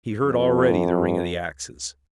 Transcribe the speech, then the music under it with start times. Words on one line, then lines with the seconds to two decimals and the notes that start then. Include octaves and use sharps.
He heard already the ring of the axes.
0.22 F2